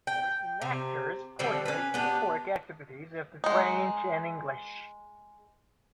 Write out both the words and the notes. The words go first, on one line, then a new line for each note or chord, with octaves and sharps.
Re-enactors portray historic activities of the French and English.
G5
C3
D3 F3 G3 C4
C#4 B4
B3 D4 G4
G#3 D#4